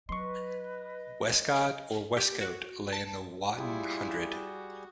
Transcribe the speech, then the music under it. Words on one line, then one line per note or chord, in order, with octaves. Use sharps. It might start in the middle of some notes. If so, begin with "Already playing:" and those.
Westcott or Westcote lay in the Wotton Hundred.
F#3 B4 D#5 C6 C#6
G4
F#4
A5
G3 E4 F4 G4 G#4
F#4